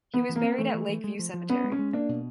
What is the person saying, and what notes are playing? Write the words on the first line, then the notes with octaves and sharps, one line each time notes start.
He was buried at Lake View Cemetery.
E3 B3
E3
A#3
C4
E3 A3
E3
E3
G#3
F3
F3
B3 C#4
G#3
C#4
G#3
A#3 D4
B2